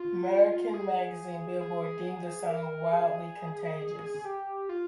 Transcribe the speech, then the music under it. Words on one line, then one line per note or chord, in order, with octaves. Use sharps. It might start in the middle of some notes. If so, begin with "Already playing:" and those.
American magazine "Billboard" deemed the song "wildly contagious".
Already playing: F4
G#4
G#4
A#4
G#4
G4
F4